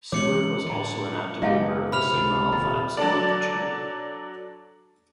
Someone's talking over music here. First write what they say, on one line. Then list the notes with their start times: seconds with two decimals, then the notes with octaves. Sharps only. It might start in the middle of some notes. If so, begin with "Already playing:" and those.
Seward was also an active member of the Sigma Alpha Epsilon fraternity.
0.12 E3 G#3 C#4 C#5 D6 C#7 F#7
0.66 A2 D3
1.42 F#1 G#3 B3 E4 G4 F5 A5
1.92 C3 B5 F6 F7
2.14 C#2 D3
2.52 D#1 A#2 A4
2.97 F#3 D4 A4 D5